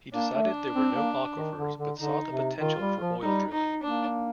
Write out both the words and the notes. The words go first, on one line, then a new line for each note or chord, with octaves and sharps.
He decided there were no aquifers but saw the potential for oil drilling.
A#3 D4
A3
D4
C4
A#3
D#3
D3
D3
D3 D#4
C3
D#3 F4
G3
F3
G3 D#4
D#4
A#3 D4